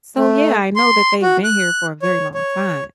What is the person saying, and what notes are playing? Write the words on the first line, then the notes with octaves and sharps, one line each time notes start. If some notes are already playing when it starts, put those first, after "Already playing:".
So, yeah, I know that they've been here for a very long time,
A3
C6
F#4
F#6
C#5
C#5